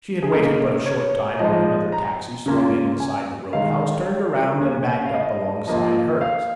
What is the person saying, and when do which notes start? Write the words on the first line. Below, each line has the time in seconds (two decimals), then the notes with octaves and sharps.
She had waited but a short time when another taxi swung in beside the road-house, turned around and backed up alongside hers.
0.23 G#4
0.32 C#3 A#3 D#4 A#4
0.86 C#5
1.39 F3 G#3 D#4 D#5
1.92 A#5
2.46 C#3 A#3 C#4 F4
3.00 G#5
3.53 D#3 G#3 D#4 F5
4.60 C#3 A#3 C#4
5.05 F5
5.14 D#5
5.67 F3 A#3 F4 D#5
6.21 F5